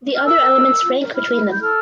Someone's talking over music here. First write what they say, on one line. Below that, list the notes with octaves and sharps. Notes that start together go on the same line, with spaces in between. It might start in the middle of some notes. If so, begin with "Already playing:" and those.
The other elements rank between them.
F6
A#4 E6
A#4
A#4
A#4
F4
A#4
E4 F6
E4
E4 G6
A4 F6